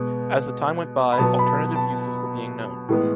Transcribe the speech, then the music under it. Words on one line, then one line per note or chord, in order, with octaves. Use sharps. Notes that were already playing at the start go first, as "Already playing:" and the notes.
As the time went by, alternative uses were being known.
Already playing: B2 G#3 B3
B5
B2 F#3 B3 A5
B5
A5
A5
A2 E3 G#3 B3